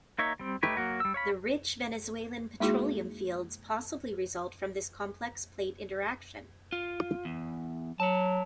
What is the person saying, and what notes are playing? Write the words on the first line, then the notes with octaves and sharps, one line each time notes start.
The rich Venezuelan petroleum fields possibly result from this complex plate interaction.
A#3 D#4 C#5 E5
G3 C4
A3 D#4 G4 B4 C#5
F#3 A#3 F#4
G3 E6
C#5 F5 B5
G#3 A#3 D#4 E4 F#4 G#4
F4
E2
F#3 C#5 A5